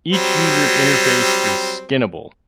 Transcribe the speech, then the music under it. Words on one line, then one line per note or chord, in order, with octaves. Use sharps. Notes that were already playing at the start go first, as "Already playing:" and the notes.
Each user interface is skinnable.
F#3 G3 C4